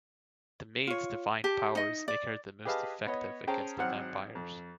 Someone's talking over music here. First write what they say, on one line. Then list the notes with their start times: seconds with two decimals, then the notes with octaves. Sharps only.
The Maid's divine powers make her the most effective against the vampires.
0.87 F4 C#5
1.44 G4 A5
1.75 D#4 D#5
2.08 D5
2.65 G4 G#4 B4 D#5 F5 A5
3.07 B3 C#5 D#5
3.47 C#4 G#4 C5 G5 A5 A#5
3.78 G#1 F#3 C4 F#5 F6 F#6
4.35 F2